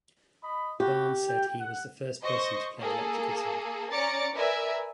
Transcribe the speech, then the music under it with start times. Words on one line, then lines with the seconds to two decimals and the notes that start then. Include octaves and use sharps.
Barnes said that he was the first person to play electric guitar.
0.42 D#5 B5
0.80 E4 F#4 G4
1.29 G5
1.59 F#5
2.23 C5 D#5 C#6 A#6
2.80 A#3 G#4 A4
3.91 C#4 D5 A#5 D6 A6 C#7
4.34 A#4 B4 D5 E5 G#5